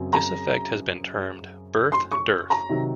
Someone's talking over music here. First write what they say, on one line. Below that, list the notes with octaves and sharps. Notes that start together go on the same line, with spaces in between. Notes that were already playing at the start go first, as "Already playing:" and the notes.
This effect has been termed birth dearth.
Already playing: F#2 C#3 F#3 C4
A#5
C6
C#6
A#5
C3 D#3 F#3